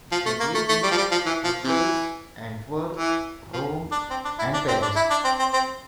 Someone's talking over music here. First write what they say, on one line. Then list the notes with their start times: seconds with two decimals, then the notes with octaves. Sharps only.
They lived in Brussels, Antwerp, Rome, and Paris.
0.12 F3
0.26 A3
0.40 A#3
0.55 A3
0.69 A3
0.83 G3
0.91 F3
0.97 G3
1.11 F3
1.26 E3
1.44 F3
1.64 C3 E3
2.96 E3
3.53 F3
3.92 D4
4.10 C4
4.25 D4
4.39 E4
4.53 D4
4.68 C4
4.82 D4
4.96 E4
5.10 D4
5.25 C4
5.39 C4
5.53 C4